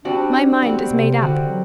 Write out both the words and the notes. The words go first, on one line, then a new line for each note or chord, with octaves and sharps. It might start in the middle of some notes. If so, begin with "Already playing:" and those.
My mind is made up.
G3 C4 D4 F#4
G3 B3 C4 F#4
C3
D3 G3 C4 F#4
F#3